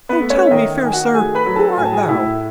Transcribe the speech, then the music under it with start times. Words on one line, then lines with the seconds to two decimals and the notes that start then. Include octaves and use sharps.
'Oh, tell me, fair sir, who art thou?
0.09 B3 B4
0.21 A3
0.30 C#4 C#5
0.47 E5
0.51 D#3 D#4 D#5
0.83 D#3 G#5
0.93 F#4 F#5
1.14 A3 G#4 G#5
1.35 B4 B5
1.46 F#3
1.56 A4 A5
1.77 A2 G#5
1.86 A5
1.93 G#4 G#5
2.08 A2 E4 E5